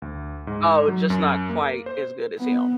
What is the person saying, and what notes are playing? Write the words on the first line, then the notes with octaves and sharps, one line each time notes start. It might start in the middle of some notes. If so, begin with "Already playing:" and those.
Oh, just not quite as good as him.
D2
G#2
F#3
F#2
A#3
C5
B3